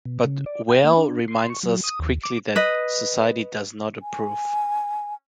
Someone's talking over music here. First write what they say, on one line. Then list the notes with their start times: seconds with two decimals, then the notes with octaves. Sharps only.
But Whale reminds us quickly that society does not approve.
0.06 B2
0.25 C#3
0.46 D5
0.69 G5
0.84 A#3
0.97 D4
1.28 C6
1.50 C#6
1.63 F#3
1.84 D#6
1.99 D#2
2.23 D6
2.56 B4 D#5
4.02 G#5